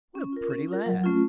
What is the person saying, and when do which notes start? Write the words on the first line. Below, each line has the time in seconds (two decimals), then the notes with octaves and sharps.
"What a pretty lad!"
0.15 C#4
0.32 F4 A#4
0.50 C#4
0.68 F4 A#4
0.86 F#3
1.04 A3 C#4 F4